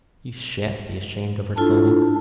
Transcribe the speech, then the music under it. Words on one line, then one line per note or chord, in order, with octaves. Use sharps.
You shan't be ashamed of her clothing.
D4 E4 F4 A4